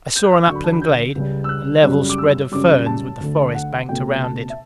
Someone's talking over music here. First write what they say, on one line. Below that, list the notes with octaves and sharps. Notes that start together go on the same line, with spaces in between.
I saw an upland glade, a level spread of ferns with the forest banked around it.
G6
F#6
E6
D6
D2 D3 F#3 C#6
B5
A5
B5
G6
C#2 C#3 G3
E6
F#6
F#2 C#3 G3
D6
E6
F#2 C#3 G3 D6
A5
D2 D3 A3
F#5
C#2 B2 A3 G5
A5
E5